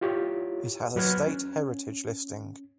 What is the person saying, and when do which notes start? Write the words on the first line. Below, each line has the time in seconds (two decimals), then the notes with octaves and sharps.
It has a state heritage listing.
0.01 E4 F4 G4 C#5
0.95 E2 F#3 B4 F6 F#6 G#6
1.27 C#4